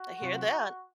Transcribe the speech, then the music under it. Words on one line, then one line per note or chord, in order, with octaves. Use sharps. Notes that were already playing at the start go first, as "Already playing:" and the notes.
I hear that.
Already playing: F#4
C3 F#3 C4 F4